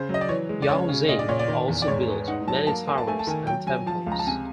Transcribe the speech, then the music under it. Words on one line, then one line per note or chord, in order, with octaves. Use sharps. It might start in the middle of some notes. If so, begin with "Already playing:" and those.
Yao Xing also built many towers and temples.
Already playing: C#3 C5
F#3
D#5
D5
E3 C#5
G#3
D5
C#3 C#5
C#3
A#2 D#5
D5
A#2 C#5
D5
D#3
E2
D5
G#2 C#5
B3
D#4 F#5
F#3 A5
A#3 A5
A#3 G#5
A5
A3 G#5
A5
D#3 G#5
F#3 G5
F#3 G#5
F3 A5
C#2
A#5
A5
C3 G#5